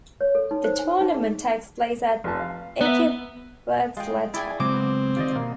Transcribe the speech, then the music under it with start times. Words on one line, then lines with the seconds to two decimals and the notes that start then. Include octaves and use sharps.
The tournament takes place at Ekebergsletta.
0.21 C#5
0.35 A4
0.51 D#4
0.64 C5
0.79 G#5
1.01 D#4
1.14 G#4
2.24 F1 F4 A5
2.39 F5
2.81 B3 E5 A#5
3.97 G#3 F4 G#4 G5
4.34 E4 G#4 D5 G5 G#5
4.60 C#3 F#3 G#3 C4 D6
4.74 B3
5.16 D#3 F4 G4 D5 D#5
5.35 B2 A#3